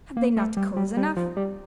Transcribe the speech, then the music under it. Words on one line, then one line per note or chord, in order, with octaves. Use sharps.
Have they not cause enough?
A#3
A3
G3
G3
G3
F3
G3